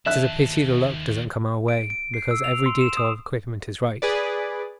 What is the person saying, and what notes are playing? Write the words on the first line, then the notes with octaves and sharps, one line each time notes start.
'It is a pity the luck doesn't come our way, because every detail of equipment is right.
D#2 E5 A5 F#6
D7
D7
C7
E6
F7
C6
E7
D#6
G#4 B4 D5